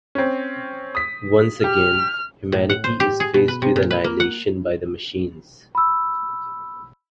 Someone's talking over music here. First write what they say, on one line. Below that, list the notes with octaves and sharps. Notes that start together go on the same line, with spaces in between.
Once again, humanity is faced with annihilation by the machines.
C4 C#4
D#6 B6
G4 F6
A2
F#5
C5
G4
G#4
B2
B4
C3
A#2
B4
A#3
F#5
B5 E6